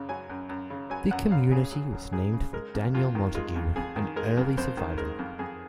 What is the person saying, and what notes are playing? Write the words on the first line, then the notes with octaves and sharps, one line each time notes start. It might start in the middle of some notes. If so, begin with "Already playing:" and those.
The community was named for Daniel Montague, an early surveyor.
Already playing: F#2 C#3
F#3 G#5
F#2
F#2
C#3
F#3 G#5
F#2 F#5
F#2 F5
C#3 G#4
F#3
F#2
F#2 G#4
C#3
G#3 A#4
F2
F2 F4
D#3
G#3 F4
F2
F2 G#4
D#3
G#3 A#4
F2
F2 C5
D#3
G#3 A#4
F2
F2 G#4